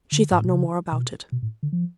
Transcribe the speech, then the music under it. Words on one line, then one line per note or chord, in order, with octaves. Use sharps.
She thought no more about it.
D3
G#2
A2
B2
C#3
B2
B2
A2
D3
F3